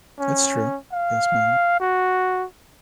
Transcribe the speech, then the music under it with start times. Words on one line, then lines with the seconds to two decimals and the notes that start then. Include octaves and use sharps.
It's true. Yes, ma'am.
0.19 C#4
0.92 F5
1.80 F#4